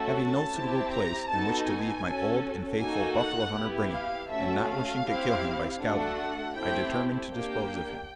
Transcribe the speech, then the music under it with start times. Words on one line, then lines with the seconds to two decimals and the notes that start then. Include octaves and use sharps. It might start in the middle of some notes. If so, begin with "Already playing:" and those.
Having no suitable place in which to leave my old and faithful buffalo-hunter Brigham, and not wishing to kill him by scouting, I determined to dispose of him.
Already playing: A3 C#4 F#4 A4
0.16 A5
0.54 C4 E4 G4
0.92 A#5
1.29 B3 D#4 F#4 A4 A5
1.67 G#5
2.05 C#4 F#4 A4
2.79 A#3 D#4 F#4 A4 G#5
3.17 F#5
3.54 B3 E4 G4
3.92 F5
4.30 A3 C#4 F#4 E5
4.67 F5
5.05 C4 E4 G4
5.80 A3 D4 F#4 A4 F#5
6.55 A3 C4 E4 G4 G5
7.30 A#3 D4 G4 G5